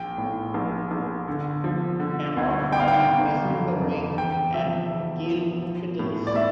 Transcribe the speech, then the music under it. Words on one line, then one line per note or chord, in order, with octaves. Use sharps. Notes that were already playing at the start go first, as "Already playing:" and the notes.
"Amorpha" is missing the wing and keel petals.
Already playing: A#1 G5
A2
A#1
A#1
D3
F3
D3
D2
G1 G5
F5
G5
G1
F2
F2
E1 G5
F3 E5
E1
F3
F3
A2
D5
A2 E5